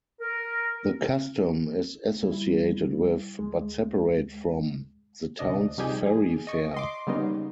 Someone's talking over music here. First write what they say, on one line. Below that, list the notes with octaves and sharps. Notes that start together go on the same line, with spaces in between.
The custom is associated with, but separate from, the town's Ferry Fair.
A#4
G3 E4
D2 G#3
D2 C3 D4 D#5
C3 F3 G3 D#4 G4 G#4
G#4
D#5 C#6
D#5 C6 D6
C#3 G3 A#3 B3 C#4 D#4